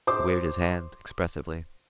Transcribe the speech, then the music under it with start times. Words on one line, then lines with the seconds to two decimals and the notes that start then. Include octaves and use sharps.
He waved his hand expressively.
0.07 C5 D6